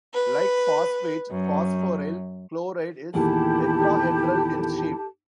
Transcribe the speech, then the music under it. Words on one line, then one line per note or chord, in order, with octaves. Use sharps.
Like phosphate, phosphoryl chloride is tetrahedral in shape.
B4
F#2
E2 A#2 D#3 E4 G4 A4 A5